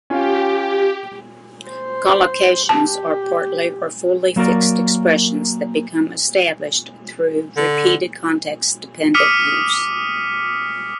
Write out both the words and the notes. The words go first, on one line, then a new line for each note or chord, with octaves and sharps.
Collocations are partly or fully fixed expressions that become established through repeated context-dependent use.
C#4 F4 G4
C5
G4 A5
F#3 A#3 F#4 A#4 D5
D3
D6 D#6 F6 B6 C#7 D#7